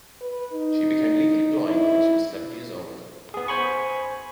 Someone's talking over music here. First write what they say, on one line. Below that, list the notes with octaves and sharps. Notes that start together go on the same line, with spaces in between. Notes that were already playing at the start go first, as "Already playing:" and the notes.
She became legally blind when she was seven years old.
B4
D#4
E4
B3 G#4
C5 G#5 B5 C#6